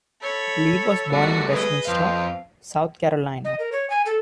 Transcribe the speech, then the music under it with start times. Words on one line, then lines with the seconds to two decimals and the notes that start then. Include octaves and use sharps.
Lee was born in Westminster, South Carolina.
0.23 A4 C#5 B5
1.13 G3 A3 D4 F#4
1.51 G#4 B4 D#5
1.88 F2 C5 F5
3.45 D#5
3.59 A#4
3.72 C#5
3.90 G#5
4.06 A4